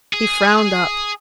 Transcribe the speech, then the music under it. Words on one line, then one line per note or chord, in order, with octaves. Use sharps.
He frowned up.
G#4